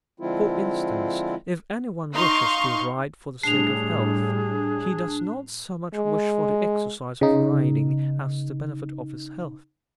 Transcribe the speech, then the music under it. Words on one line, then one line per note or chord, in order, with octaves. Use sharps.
For instance, if anyone wishes to ride for the sake of health, he does not so much wish for the exercise of riding as the benefit of his health.
D3 F3 G#3 C4 E4 F4
D#4 F5 C6 C#6
A2 G3 D4 G#4 C7 F7
G#3
C#3 D#4